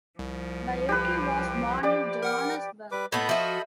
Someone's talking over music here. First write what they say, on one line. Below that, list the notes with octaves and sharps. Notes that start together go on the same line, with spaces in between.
Baiocchi was born in Johannesburg.
C2 F3
G4 B4
G4 D5
A#4 F#5 F6
G3 B4 D6
A2 B3 A4 D#5 B5
F3 F#4 E5